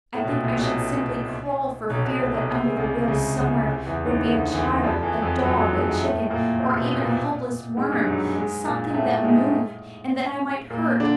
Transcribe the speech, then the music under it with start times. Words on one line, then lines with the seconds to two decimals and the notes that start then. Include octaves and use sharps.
I think I should simply crawl for fear that under the wheels somewhere would be a child, a dog, a chicken, or even a helpless worm--something that moved and that I might hurt.
0.14 A2
0.24 B2
0.29 A#2
0.43 C2 C3
0.58 B1 B2
1.90 B1 B2
2.05 B1 B2
2.20 C2 C3
2.34 B1 B2
2.49 C3
2.63 C#3
2.76 C2 C3
3.08 C#2 C#3
3.37 C#2 C#3
3.66 C2 C3
3.86 E2 E3
4.05 D#2 D#3
4.25 D2 D3
4.54 E2 E3
4.84 F2 F3
5.03 E2 E3
5.22 F2 F3
5.42 F#2 F#3
5.57 F#2 F#3
5.72 G#2 G#3
5.86 G#2 G#3
6.01 A2 A3
6.30 A#2 A#3
6.59 C3 C4
6.79 B2 B3
6.99 A#2 A#3
7.77 G#2 G#3
7.92 G2 G3
8.06 F#2 F#3
8.36 G#2 G#3
8.65 A#2 A#3
8.94 A2 A3
9.24 G#2 G#3
10.70 A#2 A#3
11.00 D3 D4